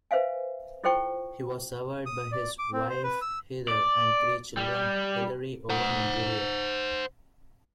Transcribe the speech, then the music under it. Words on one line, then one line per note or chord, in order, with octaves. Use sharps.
He was survived by his wife Heather and three children, Hilary, Owen and Julia.
B4 C5 E5 F5 G#5
E4 F4 A4 C5 G5 C#6
D#6
D5
D6
C4
C5
B4
E6
D5
G3
C5 F#5